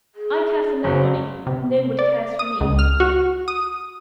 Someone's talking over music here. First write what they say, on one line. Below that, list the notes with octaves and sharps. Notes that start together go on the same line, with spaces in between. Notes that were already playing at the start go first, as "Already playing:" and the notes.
'I care for nobody-- Nobody cares for me.'
G#4
F#1 F#4
C3
D5
D#6
C#2
F6
F#4
D#6